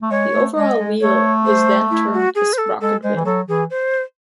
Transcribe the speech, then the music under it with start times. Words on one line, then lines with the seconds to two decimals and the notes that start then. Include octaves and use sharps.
The overall wheel was then termed a 'sprocket wheel'.
0.02 A3
0.11 G#3 C#5
0.33 A3
0.56 G#3 D#5
0.78 G#3
1.00 A3 C#5
1.46 C5
1.91 E4
2.13 F#4
2.35 G#4
2.53 C5
2.58 A4
2.81 G#3 A4
3.03 G#3 C5
3.16 E3
3.25 F#3 A4
3.48 E3 G#4
3.70 C5